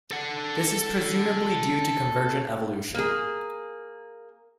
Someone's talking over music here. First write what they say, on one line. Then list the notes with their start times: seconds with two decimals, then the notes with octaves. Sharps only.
This is presumably due to convergent evolution.
0.11 A4 F#5
2.94 A#3 G#4